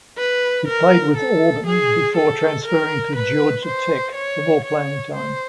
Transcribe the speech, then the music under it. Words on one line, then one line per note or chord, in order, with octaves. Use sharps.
He played with Auburn before transferring to Georgia Tech for more playing time.
B4
A#4
A4
G#4
A4
A#4
B4
C5
C#5
C#5
C5